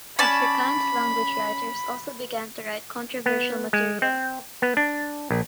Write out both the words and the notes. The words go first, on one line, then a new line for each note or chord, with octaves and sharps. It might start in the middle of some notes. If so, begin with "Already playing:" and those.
Afrikaans-language writers also began to write controversial material.
C#4 D5 A5 B5
B3
G#3
C4
B3
D4
A#1